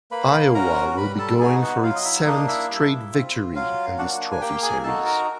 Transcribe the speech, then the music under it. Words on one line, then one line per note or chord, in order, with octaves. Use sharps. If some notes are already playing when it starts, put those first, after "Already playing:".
Iowa will be going for its seventh straight victory in this trophy series.
A#3 B4 B5
C#4 F#4 A#4 A#5
G3 B4 B5
A4 A5
B3 D#4 F#4 G#4 G#5
F#4 F#5
F#3 F4 F5
D#5
E4 E5
E5
A#3 D4 D#4 D#5
E4 E5
G3
C4 F4
F#3 F4 F5
A#3 D4 F#4 F#5
G#5
A#3 G4 G5
G#4 G#5
D#4 F#4 A4 A5
A#4 A#5